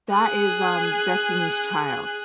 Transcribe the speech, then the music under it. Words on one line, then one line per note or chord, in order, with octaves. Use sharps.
That is, um, Destiny's Child.
G#4 F#6